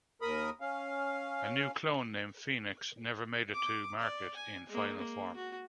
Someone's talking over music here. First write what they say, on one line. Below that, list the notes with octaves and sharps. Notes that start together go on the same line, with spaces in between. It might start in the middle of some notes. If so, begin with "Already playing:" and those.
A new clone named Phoenix never made it to market in final form.
D#2 A#4 B5 D#6
C#4 F5
D6
D5
G#5
G#3 A#3
A#3
F#4